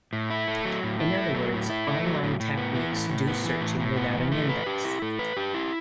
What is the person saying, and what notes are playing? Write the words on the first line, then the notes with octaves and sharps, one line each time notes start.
In other words, on-line techniques do searching without an index.
A2
E4
A3
F#3
A2
E4
A3
F#3
A2
E4
A3
F#3
A2
A2
B3
E3
A2
A2
B3
E3
A2
A2
B3
E3
A3
B4
G4
E4
A3
B4
G4
E4